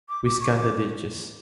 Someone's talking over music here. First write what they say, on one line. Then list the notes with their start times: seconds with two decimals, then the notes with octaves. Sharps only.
We scan the ditches.
0.09 D6
0.25 D6
0.40 C#6
0.57 D6